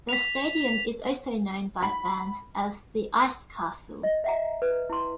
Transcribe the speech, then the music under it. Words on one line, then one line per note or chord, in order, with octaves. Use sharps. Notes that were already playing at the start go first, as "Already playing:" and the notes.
The stadium is also known by fans as the "Ice Castle".
B6 F7
B5
D#5
E5 F#5 A#5
B4
E4 C6